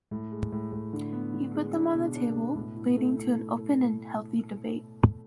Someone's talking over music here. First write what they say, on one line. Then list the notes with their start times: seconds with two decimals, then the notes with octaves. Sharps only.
He put them on the table, leading to an open and healthy debate.
0.11 A2
0.31 G#3
0.52 A2
0.72 A2
0.93 D3
1.12 B3
1.33 D3
1.54 G#3
1.74 D4
1.95 B2
2.15 D4
2.35 B2
2.55 A2
2.76 E4
2.97 A3
3.17 E4